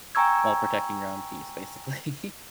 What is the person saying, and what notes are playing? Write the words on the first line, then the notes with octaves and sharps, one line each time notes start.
while protecting your own peace, basically.
G5 G#5 A#5 C#6 E6 G#6